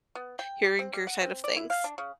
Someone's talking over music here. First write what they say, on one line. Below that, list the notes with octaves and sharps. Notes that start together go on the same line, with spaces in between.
hearing your side of things.
B3
G5
G4
C4
G3
F#5
C4
D5
E4
F5
D4
C#3